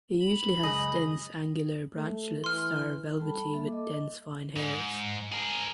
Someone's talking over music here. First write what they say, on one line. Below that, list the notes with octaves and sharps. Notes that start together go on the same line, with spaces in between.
It usually has dense angular branchlets that are velvety with dense fine hairs.
B5
C#2 F#2 G#4 D#5
A3
E3 C6 F6
G3 A4 A5 B5
A#3 A4 E5
D#5 D6
G#2
G#4 A#4